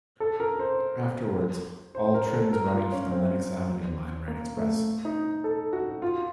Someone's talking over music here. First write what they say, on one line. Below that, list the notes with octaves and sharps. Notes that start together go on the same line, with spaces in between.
Afterwards, all trains running from the Lenox Avenue Line ran express.
A4
A#4
C5
C5
A#4
A4
A#4
F4
C#4
C4
A#3
A3
D#4
A4
F#4
F4